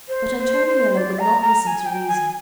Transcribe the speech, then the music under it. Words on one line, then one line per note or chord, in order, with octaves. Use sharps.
But Antoniello would not listen to reason.
C5
C5
C5
D5
A#5
A#5
A#5
G#5
G5
G#5